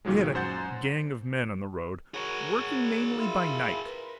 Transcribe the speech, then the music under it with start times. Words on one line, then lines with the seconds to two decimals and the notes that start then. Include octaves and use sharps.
We had a gang of men on the road, working mainly by night.
0.05 C#2 A#2 D#3 F#3 G#3
0.35 F#2 C5 F#5 G6 A6
2.14 F#4 G#4 A#4 C#5 F#5
2.79 D5
3.19 E4 F4
3.83 A#4 B4